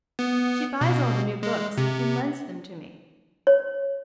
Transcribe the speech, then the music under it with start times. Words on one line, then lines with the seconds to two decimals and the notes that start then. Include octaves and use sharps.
She buys all the new books and lends them to me.
0.19 B3
0.81 B2
1.43 G#3
1.78 C3
3.47 C#5